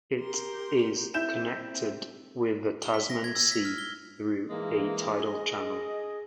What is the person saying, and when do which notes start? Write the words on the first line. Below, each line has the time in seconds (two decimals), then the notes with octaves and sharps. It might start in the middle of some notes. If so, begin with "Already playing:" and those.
It is connected with the Tasman Sea through a tidal channel.
0.18 G4 A#4 C6
1.14 C4 E4 G6 E7
2.82 G7
2.94 B6
3.10 A#6
3.24 G#6
3.36 E6
3.51 B6
3.65 F6
3.78 G7
4.50 E3 G#3 A#3
5.17 G#4 D#5